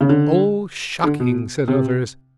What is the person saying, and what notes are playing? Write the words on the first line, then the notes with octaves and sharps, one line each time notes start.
"Oh, shocking!" said others.
C#3
D3
D3
B2
C3